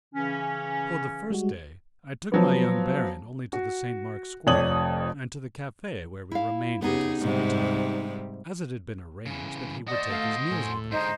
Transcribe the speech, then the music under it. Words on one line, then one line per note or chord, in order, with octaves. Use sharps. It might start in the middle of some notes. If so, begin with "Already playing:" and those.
For the first day, I took my young baron only to the St. Mark's Square and to the cafe, where we remained until supper-time, as it had been arranged that he would take his meals with us.
C#3 E3 C#4
G3 G#3 F#4
F3 F#3 B3
F#4
F1 F2 C#5 D5 D#6 F#7
E4 F5
C#3 B3 D#4 G4 G#4
G#2 C3 G3
C#3 E3
F#4 C5 D5 D#5
A3 F5
A2 G#5 C6
G#2 D3 D#4 C5 D#5